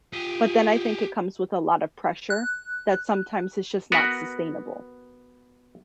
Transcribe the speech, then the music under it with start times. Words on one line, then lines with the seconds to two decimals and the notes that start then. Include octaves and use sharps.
but then I think it comes with a lot of pressure that sometimes it's just not sustainable.
0.13 F4 G4 G#4
2.30 F#6
3.92 B3 F#4 A#4 B4